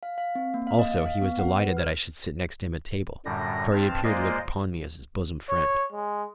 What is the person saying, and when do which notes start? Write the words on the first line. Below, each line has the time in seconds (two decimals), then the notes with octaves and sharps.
Also, he was delighted that I should sit next him at table, for he appeared to look upon me as his bosom friend.
0.03 F5
0.18 F5
0.35 C4
0.54 A#3
0.67 F5
0.79 D#5
0.91 F5
1.06 F5
1.22 B3
1.39 F#5
1.59 B4
1.77 F6
3.25 F#2 A2 D3 G3 A#6
3.72 G2 C4 A5 F6
4.04 G#3 A#3 F4 C5 D5 D#5
5.49 C#5
5.92 G#3